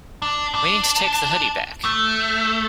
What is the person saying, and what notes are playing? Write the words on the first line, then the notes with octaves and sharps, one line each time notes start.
We need to take the hoodie back!
D4
D4
A3